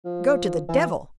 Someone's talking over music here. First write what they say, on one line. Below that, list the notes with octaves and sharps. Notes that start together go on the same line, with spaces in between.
Go to the devil!
F3
E3